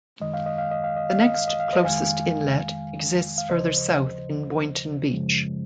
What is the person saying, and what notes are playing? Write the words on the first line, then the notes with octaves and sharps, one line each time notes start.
The next closest inlet exists further south in Boynton Beach.
F#2 D#3 G#3 D#5
F5
D#5
F5
D#5
F5
D#5
F5
D#5
F5
D#5
F5
C5 D#5
F2 D#3 G#3 F5 G#5
F5
D#2 C#3 F3 C5 D#5
F#2 C#3 F3 G#3